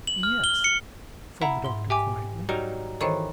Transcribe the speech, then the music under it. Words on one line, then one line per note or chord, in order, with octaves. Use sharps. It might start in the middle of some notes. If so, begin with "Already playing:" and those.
"Yes," from the doctor, quietly.
F#7
F6
G7
C#7
E4 F#5 A#5 B5
G#2 C6 G7
G4 E5 G#5 D6
F#3 G3 D#4 A#4
D#3 E3 A4 C5 C#5